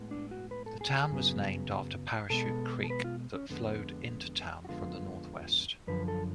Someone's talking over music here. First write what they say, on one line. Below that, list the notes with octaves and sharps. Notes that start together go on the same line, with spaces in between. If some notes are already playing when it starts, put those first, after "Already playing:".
The town was named after Parachute Creek, that flowed into town from the northwest.
Already playing: A2 G#3 B3
D4
F#4
B4
A4
G#4
G#4
F#2 C#3 F#3 B3
B2 G#3 B3 A4
A4
B4
F4
C#4
F2 D3 G#3 B3
F#4
F2 D3 G#3 B3 F4
F#2 D3 F3 B4
A4